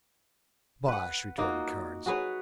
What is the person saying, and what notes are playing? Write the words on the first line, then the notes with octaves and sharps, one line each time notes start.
"Bosh!" retorted Carnes.
B4 F#5
A#3 D#4 F4 F#4
F#4 G#4 B4 C#5